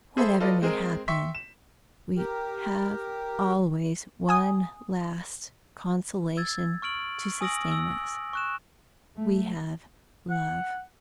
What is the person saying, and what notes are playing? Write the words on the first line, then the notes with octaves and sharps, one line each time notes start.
Whatever may happen, we have always one last consolation to sustain us--we have love.
G#4 A4 C5 E5 B5
F4 A4 B4 D5 D#5
G#3 C4 G#4 A#4
E5 G5 C6 C#6 B6
E7
G4 A#4
G#5 D#6
E6 G#6 A6
C#6 F6 D7 F#7
G#5 D#6 E6 A#6 D7 F#7
E6
C#6 F#6 E7
A3
F#5